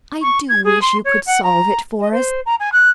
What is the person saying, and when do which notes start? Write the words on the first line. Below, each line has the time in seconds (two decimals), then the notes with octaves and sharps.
I do wish you could solve it for us.
0.22 C#6
0.49 G#6
0.64 G#4
0.81 C6
1.05 C#5
1.26 F#5
1.43 A#5
2.00 D#5
2.12 C5
2.46 A#5
2.60 G#5
2.72 F#6